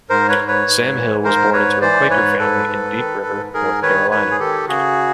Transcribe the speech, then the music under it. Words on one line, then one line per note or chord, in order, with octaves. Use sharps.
Sam Hill was born into a Quaker family in Deep River, North Carolina.
G#2 A#4 C5
B4 C#5
G#2
B4 C#5
G#2
E3
G#2 A#4 C5
G#2 B4 C#5
E3 C5 D5
G#2 B4 C#5
G#2 A4 B4
G#2
D#3
G#2
G#2 G#4 A#4
D#3 B4 C#5
G#2 B4 C#5
G#4
D#3 G4 A4
C#3 F#4 G#4